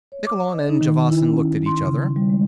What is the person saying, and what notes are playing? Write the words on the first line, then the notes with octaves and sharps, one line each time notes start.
Nikkolon and Javasan looked at each other.
C#5
D6
D#5
D#4
D#3
E4
C#4
C6
C#3
G3
G#3